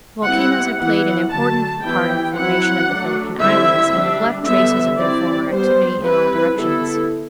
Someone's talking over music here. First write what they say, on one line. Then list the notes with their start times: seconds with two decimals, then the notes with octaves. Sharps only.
Volcanoes have played an important part in the formation of the Philippine Islands and have left traces of their former activity in all directions.
0.24 G3 C4 E4 F#5
0.77 E3 B3 E4 F#5
1.30 D3 F#3 A3 A5
1.82 E3 G3 B3 E4 G5
2.35 F#3 C4 E4 F#5
2.87 F#3 A3 D4
3.40 D3 G3 C4 E4 E5
3.93 G3 D4
4.45 D3 G3 B3 E5
4.98 G3 C4 E4 D5
5.50 G3 B3 D4 C5
6.02 G3 C4 E4 B4
6.55 D3 G3 B3 E4 A4